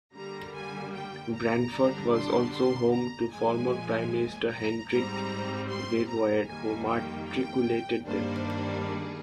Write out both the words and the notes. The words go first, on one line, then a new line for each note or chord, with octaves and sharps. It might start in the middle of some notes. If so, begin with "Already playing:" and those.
Brandfort was also home to former prime-minister Hendrik Verwoerd, who matriculated there.
D3 G3 A#3 A#5
G#5
G5
A#5
D3 G3 D4
C6
C6
A#5
A#2 F3 G#3 G#5
A#5
G#2 G3 C4 A#5
C6
A#5
F2 D#3 G3 A#3 G#5
G5
G5
G2 D#3 G3 A#3 D4 C5
G#4